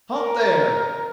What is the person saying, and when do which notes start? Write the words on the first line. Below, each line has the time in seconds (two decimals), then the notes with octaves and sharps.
"Halt there!"
0.15 A#4